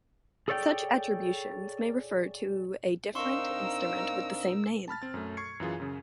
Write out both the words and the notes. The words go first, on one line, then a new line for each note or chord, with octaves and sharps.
Such attributions may refer to a different instrument with the same name.
G#4 A4 C#5 D5 F5 G5
C4 D4 D#4 A#4 F5 C6 C#6 E6
A5 B5 F6 A6
C4 A6
F#2 A3
C#6 G#6 C7 C#7
F#2 E3 F4 G#4
F#2 C#3